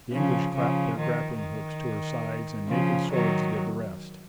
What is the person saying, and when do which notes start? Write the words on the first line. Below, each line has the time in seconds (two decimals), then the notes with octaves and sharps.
The English clapped their grappling-hooks to her sides, and naked swords did the rest.
0.13 C#3 F3
0.55 C#3 F3
0.98 D#3
1.40 D#3
2.68 C#3 F3
3.11 D#3 F#3